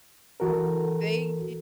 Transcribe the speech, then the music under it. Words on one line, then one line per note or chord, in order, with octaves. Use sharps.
Thank you
E3 F#4 A4 A#4